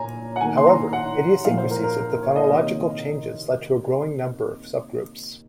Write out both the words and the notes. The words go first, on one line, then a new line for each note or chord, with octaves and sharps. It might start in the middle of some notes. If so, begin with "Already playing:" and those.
However, idiosyncrasies of the phonological changes led to a growing number of subgroups.
Already playing: A#2 G#5 A#5
F#5
D#3 A#3 G#5
C6
A#5
F#5
A#2 F3 A#3 F5
C5
A#4
A#4
A#4
A#4
C#5
F5
D#5
C3 D#3 A#3